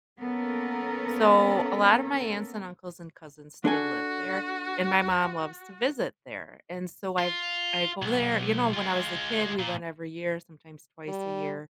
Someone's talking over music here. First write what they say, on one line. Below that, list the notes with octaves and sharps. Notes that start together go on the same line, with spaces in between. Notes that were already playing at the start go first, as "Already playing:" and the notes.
so, a lot of my aunts, and uncles, and cousins still live there, and my mom loves to visit there, and so I I go there you know, when I was a kid, we went every year, sometimes twice a year,
A#3 B3 C#4 A4 A#4
D4 F#4 A4 G#5
F4
B1
G#3 F4
A#2
G3